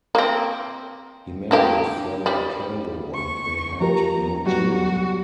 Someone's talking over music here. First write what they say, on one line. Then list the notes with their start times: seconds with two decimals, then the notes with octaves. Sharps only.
He married Flora Calvo and they had no children.
0.15 A#3 C4
1.51 D3 A#3 G4
2.26 G3
3.14 C#6
3.81 F3 G4 A#4 A#5
4.46 F#3 G3 B3 F#4
4.75 F#4